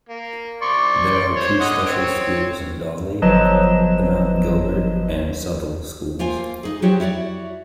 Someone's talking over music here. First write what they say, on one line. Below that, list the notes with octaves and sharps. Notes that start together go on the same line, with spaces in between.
There are two special schools in Dawley: the Mount Gilbert and Southall schools.
A#3
D5 C6 C#6
C5 C#5
D3 D#5 F#5
C4 C#5
G1 F3 F#3 B4 D#5 E7
A#3 F4 C5 G#5
D#4 G#4
F#3 F#4 G4 C5 C#5
E4 F#4 C#5 D5